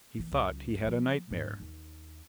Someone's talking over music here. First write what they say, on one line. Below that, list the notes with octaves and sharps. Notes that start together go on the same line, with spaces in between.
He thought he had a nightmare.
E3 A#3
C#2 F#3
E3 F3
G#2 D4
D#2